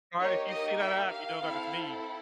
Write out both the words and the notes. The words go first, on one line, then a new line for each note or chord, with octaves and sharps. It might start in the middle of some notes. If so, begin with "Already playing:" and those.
Alright, if you see that app, you know that it's me.
A#3 D#4 G4 C#5
D#5
E5
F5
C4 E4 A4